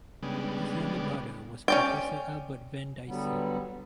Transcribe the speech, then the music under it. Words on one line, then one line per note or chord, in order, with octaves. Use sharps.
His younger brother was Professor Albert Venn Dicey.
C#3 G3 G#3 B3 D4
C#4 D5 G5
D3 F#3 G3 B3